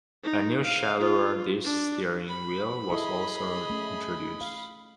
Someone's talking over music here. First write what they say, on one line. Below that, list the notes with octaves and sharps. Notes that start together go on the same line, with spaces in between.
A new shallower-dish steering wheel was also introduced.
D#4
F5
F4
D4
B5
E4 G#4 A4 D#5
A3 C#4
F5